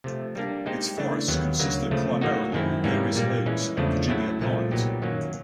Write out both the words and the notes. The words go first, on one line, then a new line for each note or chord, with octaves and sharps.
Its forests consist primarily of various oaks and Virginia pines.
C3 F3 A3
G3 A#3 D4
G#3 C4 D#4 G4 C5
C#3 E3 A3 D4
D#2 D#3 F#3 B3
D2 C#3 F#3 A#3
C#3 F3 A3
A2 F#3 A#3 D#4 F#4
F#2 D#3 G#3 C4 E4
G#2 E3 G3 A#3 C#4
A#2 G3 A#3
E3 G#3 C#4
E2 C#3 F3 A3 D4
A2 F#3 A3 C#4 E4
C2 A#2 F3 A3
A#2 F#3 B3 D#4 G4
F#2 D#3 F#3 A#3 C#4